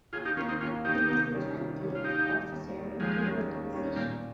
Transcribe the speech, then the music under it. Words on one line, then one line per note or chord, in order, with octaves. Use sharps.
He was the twentieth officer to hold the position.
D#2 F4 G#4
D#4 G4
D#3 A#3 C#4 F4
C4 D#4
D#2 C#4 F4
D#3 A#3 D#4 G4
C3
D#3 G3 C#4
C3
D#3 G3 C#4
F4
D#2 D#4 G4
D#3 G3
D#2
D#3 G3
D#2 F3 G#3
D#3 G3 C#4
D#2
D#3 G3 C#4
A#2 G3 A#3